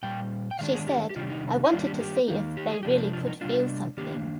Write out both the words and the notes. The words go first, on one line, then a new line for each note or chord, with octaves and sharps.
She said, I wanted to see if they really could feel something.
A#2 G3 G5
G5
D#3 G#3 D4 F5
G#4
G4
G4
C3 D#3 G3 D4 F4
D#4
D#4
D#3 G3 A#3 D4 F4
G4
G4
D#3 A#3 D#4
G4
G#4
C3 F3 G#3 D4 G4
F4
D#4
C3 G3 D4 F4
D#3 A#3 D4 G4